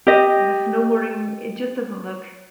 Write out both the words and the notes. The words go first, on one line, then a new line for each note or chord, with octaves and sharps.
the snowboarding, it just doesn't look
G4 D#5